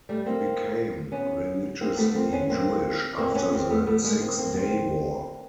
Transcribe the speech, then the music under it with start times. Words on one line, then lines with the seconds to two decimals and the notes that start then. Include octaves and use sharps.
He became religiously Jewish after the Six Day War.
0.09 G3 A3
0.26 A#3 C4
1.12 B3 C#4
1.81 A#3 C4
1.97 A3 B3
2.15 A#3 C4
2.32 B3 C#4
2.50 A#3 C4
3.18 A#3 C4
3.35 B3 C#4
3.53 A#3 C4
3.70 A3 B3
3.87 A3 B3
4.04 G#3 A#3
4.21 A#3 C4
4.38 A#3 C4
4.55 A#3 C4